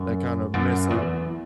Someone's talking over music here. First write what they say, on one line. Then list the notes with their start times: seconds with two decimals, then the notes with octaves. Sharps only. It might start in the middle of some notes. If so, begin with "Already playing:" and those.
that kind of mess up
Already playing: F#2
0.54 F#2
0.91 E2